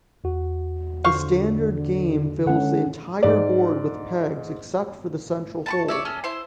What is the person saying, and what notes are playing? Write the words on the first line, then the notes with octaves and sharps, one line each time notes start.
The standard game fills the entire board with pegs except for the central hole.
E2 F#4
D3 C5 F5 C#6
D3 G#3 C#4 A4 F#5
G#2 D5
A5 B5 C#6
C#5 D5 E5
C#4 G#4 A4
E4 C5 C6